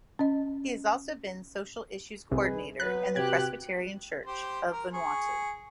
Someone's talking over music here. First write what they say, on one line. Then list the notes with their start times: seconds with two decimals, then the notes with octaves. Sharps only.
He has also been social issues coordinator in the Presbyterian Church of Vanuatu.
0.19 C#4 D#5
2.32 C2 D#4 G#4 B4
2.80 F#3 B3 B4 F#6
3.16 C3 F#4 G4 G5 F#6 G#6
4.26 G4 C5
4.71 A#4
4.93 G#4 C#6